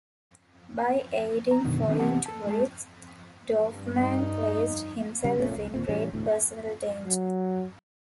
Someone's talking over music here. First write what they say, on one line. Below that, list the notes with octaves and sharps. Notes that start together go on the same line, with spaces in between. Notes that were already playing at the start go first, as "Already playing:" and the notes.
By aiding foreign tourists, Dorfman placed himself in great personal danger.
A#5
F#2 B2 D3 D#3
D#3 F#3 G3 B3 C4 D4
C2 E3 C4 G4 F#5 A5
A4 A5
G#3 G#4 A5
G2
D#4
C#3 G3
A#1 A#2 A3 C#4
C2
D#2 A#2 C4
A2 E3 G3 C#4
E1 D2 A2
F#3